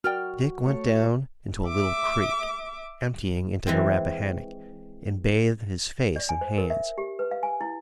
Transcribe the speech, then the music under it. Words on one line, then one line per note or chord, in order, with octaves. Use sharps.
Dick went down into a little creek, emptying into the Rappahannock, and bathed his face and hands.
F#4 A#4 D5 G5 F6
A3 C#5
E5 D6
E3 G#3 C4
D5
G#5
C5
A#4
E5
G4
B4
F5
G#5
E4